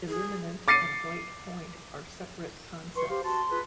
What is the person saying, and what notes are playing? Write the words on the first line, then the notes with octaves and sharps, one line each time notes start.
Illuminant and white point are separate concepts.
G#4
D6 A6 C7 C#7 D#7
B4 C6 C#6
G4 C5 F5 C6
F#4 A5 C6
F4 G#4 B4